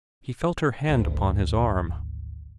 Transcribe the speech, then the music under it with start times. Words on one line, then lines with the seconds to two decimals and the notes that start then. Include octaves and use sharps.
He felt her hand upon his arm.
0.89 G#1 D2